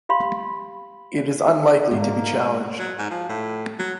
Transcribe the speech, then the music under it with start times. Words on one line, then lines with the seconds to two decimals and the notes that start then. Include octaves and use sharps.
It is unlikely to be challenged.
0.09 G4 F5 B5 C6
1.91 G#2 G#3 A#3
2.79 F#3
2.98 G#2
3.10 F3
3.29 A2
3.79 F#3